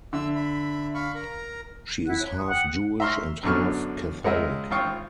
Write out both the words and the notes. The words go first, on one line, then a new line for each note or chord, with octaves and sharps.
She is half Jewish and half Catholic.
D3 E5 E6
E5 B5
F5 B5 C#6
A#4 A#5
E4 F#5 F#6
C#5 F#6
C#6 D#6
F#5 G5
E5 A#5 C6 C#6 F6
F#2 B2 D3 C#6 F6
C#2 G#3 A#4 D#5 E5
G#1 F4 F5 G5 C#6 D#6